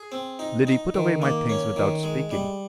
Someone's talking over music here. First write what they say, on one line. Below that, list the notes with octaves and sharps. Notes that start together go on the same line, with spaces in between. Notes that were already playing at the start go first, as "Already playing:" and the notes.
Liddy put away my things without speaking.
Already playing: G#4
C4
D#4
D#4
D#3
A#3
C#4
D#3
G#3
G3